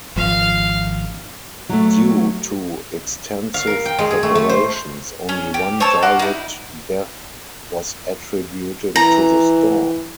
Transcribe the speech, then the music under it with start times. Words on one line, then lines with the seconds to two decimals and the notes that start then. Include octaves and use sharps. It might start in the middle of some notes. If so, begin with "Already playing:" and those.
Due to extensive preparations, only one direct death was attributed to the storm.
0.16 G#1 F3 F5
1.69 F#3 A3
3.54 F5
3.67 A#4
3.86 G5
3.99 G#3
4.11 G#4
4.23 A3
4.35 A3
4.49 C5
5.29 C#4
5.54 G4
5.80 C5 C#5 A5 E6
6.02 F#4 A#4 D5 C6
6.19 D#4 E4
8.96 E3 A#5